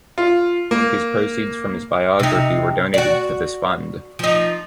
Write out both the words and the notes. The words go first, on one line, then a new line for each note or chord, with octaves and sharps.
His proceeds from his biography were donated to this fund.
F4
A#3
C3 D#4
F#4 D5
F3 D#4